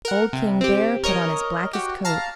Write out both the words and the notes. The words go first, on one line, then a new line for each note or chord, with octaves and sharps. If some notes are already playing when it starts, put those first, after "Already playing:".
Old King Bear put on his blackest coat.
A#4 F#5
C3
C4 G4
A#4 C#5 D#5
F#4 G4
F5 A5 A#5